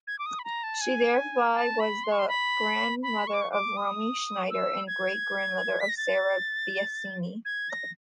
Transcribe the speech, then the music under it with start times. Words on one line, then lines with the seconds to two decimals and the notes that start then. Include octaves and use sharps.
She thereby was the grandmother of Romy Schneider and great grandmother of Sarah Biasini.
0.07 G#6
0.19 D6
0.26 D#6
0.39 B5
0.44 A#5
0.63 A5
0.81 G#5
1.54 A5
1.80 B5
2.04 C6
2.12 C#6
2.19 C6
2.28 B5
3.03 B5
3.27 C#6
3.34 D6
3.41 C#6
3.52 D6
3.77 D#6
4.50 E6
4.88 G#6
5.80 B6
5.89 A#6
5.97 A6
7.45 G#6
7.70 A#6